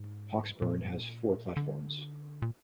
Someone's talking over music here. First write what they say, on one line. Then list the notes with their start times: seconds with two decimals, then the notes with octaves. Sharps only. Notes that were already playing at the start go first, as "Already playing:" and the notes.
Hawksburn has four platforms.
Already playing: G#2
0.62 A#2
1.57 D3
2.42 A#2